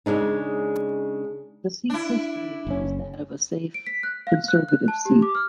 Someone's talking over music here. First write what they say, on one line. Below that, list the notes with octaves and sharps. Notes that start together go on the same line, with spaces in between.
The seat's history is that of a safe Conservative seat.
C#3 G#3 D4 D#4
D4 E4
F#1 C#4
D7
B6
F#6
F5
F#6
F#6
A5
G4
D6
F6